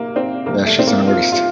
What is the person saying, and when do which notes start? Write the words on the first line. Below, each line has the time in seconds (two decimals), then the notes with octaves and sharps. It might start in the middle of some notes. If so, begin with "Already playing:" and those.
Yeah, she's an artist.
Already playing: C3 A#3
0.16 C4
0.46 C3 F3 A#3
0.66 A3
0.79 C4
0.87 A#3
1.07 F4
1.32 F4